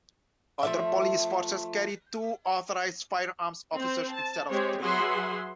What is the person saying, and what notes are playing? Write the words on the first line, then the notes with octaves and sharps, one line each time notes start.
Other police forces carry two Authorised Firearms Officers instead of three.
F3 A3 E5
C4 C5
A5
G#3 C4 G4 C#5
F#3 G#4 B4 E5 F#5 C6